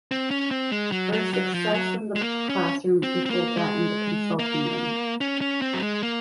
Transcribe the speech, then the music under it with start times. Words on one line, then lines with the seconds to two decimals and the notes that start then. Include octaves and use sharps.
Her success in the classroom equalled that in the consulting room.
0.11 C4
0.31 C#4
0.51 C4
0.72 G#3
0.92 F#3
1.13 F#3
1.34 F#3
1.54 F3
1.74 F#3
2.16 G#3
2.21 A#3
2.49 C#4
3.03 C4
3.26 C4
3.30 A#3
3.57 G#3
4.39 A#3
5.21 C#4
5.41 C#4
5.62 C4
5.74 F#3
5.82 G#3
6.03 A#3